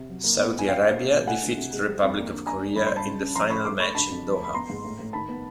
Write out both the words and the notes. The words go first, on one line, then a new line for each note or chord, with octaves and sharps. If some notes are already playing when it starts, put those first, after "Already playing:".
Saudi Arabia defeated Republic of Korea in the final match in Doha.
Already playing: C3
F#3
A#3
B3
B3
G#5
D4 F5 G5
D3
A#3
B2
A3 F#5 G#5
D3
C3
G#3
G3
F2
A#3
D3
D4 G#5 A#5
D4
G2 B5
G2 C6
A5 B5
C#3
C#4
F3 A#5 C6
C#3 B5 C#6
A3 C6 D6
A3 B5 C#6
D3 A5 B5
F2
F3
A3 B5
B3 A#5 C6
G#2
A2
A2
D#3 A5 B5
B3